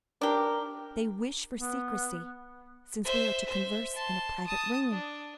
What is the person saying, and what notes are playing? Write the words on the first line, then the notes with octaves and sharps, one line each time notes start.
They wish for secrecy, since we are to converse in a private room.
D4 G4 A#4
B3
C5 E5
C5 E5
A5 C6
A5 D#6
D4